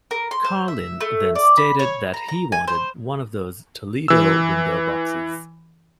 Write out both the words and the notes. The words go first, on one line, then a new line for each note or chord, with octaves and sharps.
Carlin then stated that he wanted one of those Toledo Window Boxes.
A#4
C6
C5
E5
A3
D5
B5
C#5
A#5
A#5
G#5
C5
E3 E6